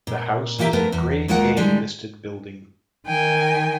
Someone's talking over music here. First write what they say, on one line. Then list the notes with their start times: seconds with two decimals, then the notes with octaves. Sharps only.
The house is a Grade A listed building.
0.07 A#2
0.58 E3 A#3 F#4 G4 E5 A#5
0.73 F3 A3 B3 A#4
0.92 E2
1.28 D#2 G#3 A#3 F4 A#4 F#5
1.57 D3 G3 G#3
3.07 D#3 G5 G#5